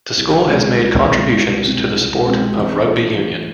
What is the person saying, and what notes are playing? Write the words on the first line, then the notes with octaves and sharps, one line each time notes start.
The school has made contributions to the sport of rugby union.
C2
B2 G#3 C4
C2
B2 G#3 C4
C2
B2 G#3 C4
C2
B2 G#3 C4
E3
A3 D4 F4 A4
E3